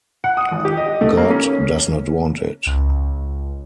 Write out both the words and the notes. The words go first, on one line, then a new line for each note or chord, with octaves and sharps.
God does not want it!
F#5
D#6
G#1
G4
D#5
A3
A#3
C#4
C#2